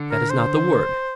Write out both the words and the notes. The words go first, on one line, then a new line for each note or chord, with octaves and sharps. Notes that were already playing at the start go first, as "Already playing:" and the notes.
That is not the word.
Already playing: D3
A#4
C5